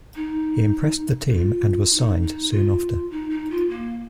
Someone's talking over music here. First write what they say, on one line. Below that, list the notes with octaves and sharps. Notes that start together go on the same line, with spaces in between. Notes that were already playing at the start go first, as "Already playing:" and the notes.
He impressed the team and was signed soon after.
D#4
D#4
F4
F4
D#4
D#4
F4
D#4
D#4
F4
A#3